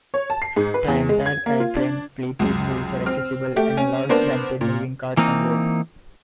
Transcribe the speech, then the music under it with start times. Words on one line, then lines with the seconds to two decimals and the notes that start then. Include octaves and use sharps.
The entire AirTrain fleet is wheelchair accessible and allows rented moving carts on board.
0.14 C#5
0.30 A5
0.42 C7
0.56 G#2
0.74 B4
0.88 E2
1.09 G#3
1.26 G#6
1.46 A#3
1.60 F4
1.76 D4
2.39 C#2 F#2
3.06 C4 F6
3.56 A3 G4
3.77 C#4
4.09 B3 D4 A#4 C5
4.61 A#2
5.17 E3 A#3 C4 D#4